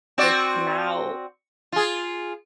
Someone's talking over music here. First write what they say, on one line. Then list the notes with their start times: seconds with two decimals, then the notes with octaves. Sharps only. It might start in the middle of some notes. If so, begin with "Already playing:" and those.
it's now
0.18 C4 F#4 D5
1.72 F4 G#4